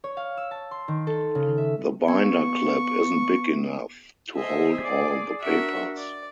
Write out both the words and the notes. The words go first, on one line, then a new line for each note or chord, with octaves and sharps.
The binder clip isn't big enough to hold all the papers.
C#5
F5
E6
A5
C6
D#3
A4
C#3
E5
B3 C#6
A4 C5 D#5 E5 G#5
G#4 D5
D4 F#4 A#4 E5 F#5
D5